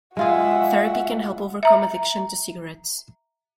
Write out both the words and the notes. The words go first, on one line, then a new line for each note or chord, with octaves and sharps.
Therapy can help overcome addiction to cigarettes.
G#3 F4 F#4 G#4 E5 F#5
E5 A#5